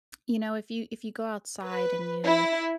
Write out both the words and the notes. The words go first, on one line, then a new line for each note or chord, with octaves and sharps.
you know, if you if you go outside and you
B4
E4